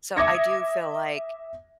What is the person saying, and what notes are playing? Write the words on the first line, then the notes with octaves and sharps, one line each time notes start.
So, I do feel like
E5 D6 D#6 G#6 A#6 C#7